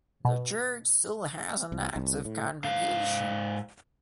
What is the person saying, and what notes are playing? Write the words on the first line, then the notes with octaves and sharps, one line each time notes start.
The church still has an active congregation.
B2
C2
C2
A2
G#2 F5